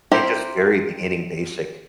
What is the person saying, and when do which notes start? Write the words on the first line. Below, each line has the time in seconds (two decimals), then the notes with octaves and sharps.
it just very beginning basic
0.12 C4 E4 G4 A#4 C5